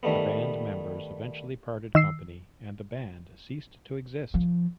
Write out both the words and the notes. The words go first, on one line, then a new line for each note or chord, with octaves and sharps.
The band members eventually parted company and the band ceased to exist.
D#3 G3 A3 B3
D#3 E6 C7
F3